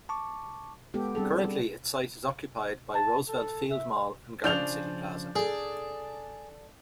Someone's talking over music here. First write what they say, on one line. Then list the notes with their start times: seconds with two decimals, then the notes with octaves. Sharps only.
Currently its site is occupied by Roosevelt Field Mall and Garden City Plaza.
0.09 A5 C#6 D6
0.94 G#3 B3 G4 A4
1.15 G3 C4 D4 G#4 A4
1.44 G3
2.94 A5
3.28 A4
3.70 E5
4.44 C#3 F3 D4 G6 F7
5.36 G#4 A4 D5